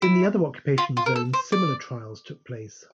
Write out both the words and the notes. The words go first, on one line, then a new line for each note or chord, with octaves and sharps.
In the other occupation zones similar trials took place.
E4
F4
F4
A#4
A4
C5
D5